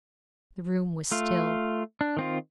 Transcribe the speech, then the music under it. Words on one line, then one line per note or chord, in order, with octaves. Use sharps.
The room was still.
A3 F4
D4
D#3 C4 F4